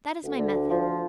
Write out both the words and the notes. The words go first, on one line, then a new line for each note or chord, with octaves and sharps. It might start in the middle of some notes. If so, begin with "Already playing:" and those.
That is my method.
D2
D3
D2
F3